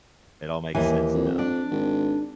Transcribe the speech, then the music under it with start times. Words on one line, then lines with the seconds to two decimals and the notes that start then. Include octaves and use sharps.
It all makes sense now.
0.75 D#2 E3 G#5
1.15 F2
1.39 D4
1.71 G#1